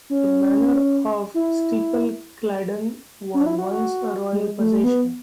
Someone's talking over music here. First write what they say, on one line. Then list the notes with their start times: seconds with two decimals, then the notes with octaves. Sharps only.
The manor of Steeple Claydon was once a royal possession.
0.10 C#4
1.34 E4
3.34 C#4
3.41 D4
3.46 E4
3.59 F#4
3.71 F#4
4.33 G#3
4.59 A3
4.83 B3